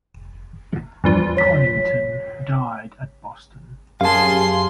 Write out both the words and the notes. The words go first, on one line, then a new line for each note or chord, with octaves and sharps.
Conington died at Boston.
E2 G2 F3
C#5 B6
F#2 G4 G#4 F5 A5 C6